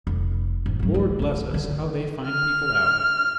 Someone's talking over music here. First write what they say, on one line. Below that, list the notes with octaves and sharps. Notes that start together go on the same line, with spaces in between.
Lord bless us, how they find people out!
F1
G#1
F#3 A3
E3 A3
D3 D4
D3
F6